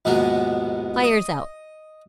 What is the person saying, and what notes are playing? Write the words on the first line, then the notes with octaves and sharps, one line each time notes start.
Fire's out!
A#1 D#2 G#2 B2 B3 A#4
D#5